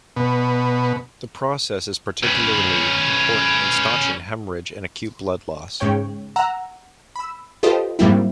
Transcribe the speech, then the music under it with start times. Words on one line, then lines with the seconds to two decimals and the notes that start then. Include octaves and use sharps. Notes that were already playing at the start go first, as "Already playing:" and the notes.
The process is particularly important in staunching hemorrhage and acute blood loss.
0.16 B2
2.23 C#4 B4
5.80 G#2 C#3 C#5 G5
6.36 F#5 A#5 E6
7.16 B5 E6
7.63 F4 G4 A4 B4 C5 D#5
7.99 G#2 F#3 G3 A#3 C4 E4